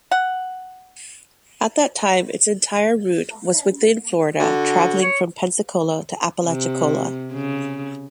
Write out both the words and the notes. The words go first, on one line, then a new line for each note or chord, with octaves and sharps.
At that time, its entire route was within Florida, traveling from Pensacola to Apalachicola.
F#5
D3 F#4
C#5
C3
C#3